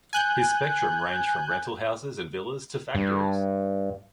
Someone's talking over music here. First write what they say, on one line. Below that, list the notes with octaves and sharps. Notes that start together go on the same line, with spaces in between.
His spectrum ranged from rental houses and villas to factories.
G#5 F#6 G6
G2